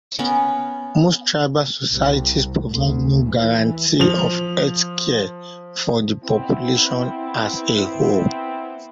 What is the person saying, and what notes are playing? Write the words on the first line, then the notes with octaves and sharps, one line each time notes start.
Most tribal societies provide no guarantee of healthcare for the population as a whole.
B3 C#4 A#4
C2
D2
E3
F3 F7
B3 C4 E4